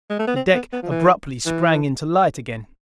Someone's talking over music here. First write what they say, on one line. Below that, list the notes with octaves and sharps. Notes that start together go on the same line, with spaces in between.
The deck abruptly sprang into light again.
G#3
A3
B3
C4
B3
B3
F3
E3
E3